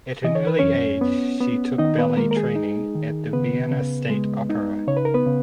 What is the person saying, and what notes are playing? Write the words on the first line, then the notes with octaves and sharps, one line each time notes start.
At an early age she took ballet training at the Vienna State Opera.
E3 D#5
C#5
B4
F#2 C#4 C#5
B3
B3
D#3 D#4 D#5
B3 B4
G#3 A#3 A#4
A#4
G#4
D#4
D#3
C#3 B3 B4
C#3
G#3
D#4
C#3 C#5
B4
A#4
B3 B4
C#3